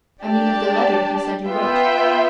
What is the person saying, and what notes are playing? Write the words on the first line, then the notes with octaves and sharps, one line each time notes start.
"I mean of the letter he said you wrote."
D4 G4 D5 A5
B3 F4 B4 E5 G5